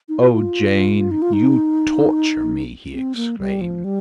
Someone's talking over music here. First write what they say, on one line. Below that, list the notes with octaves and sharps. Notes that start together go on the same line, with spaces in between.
"Oh, Jane, you torture me!" he exclaimed.
D#4
F4
D#4
F4
D#4
C4
A#3
G3
F3
G3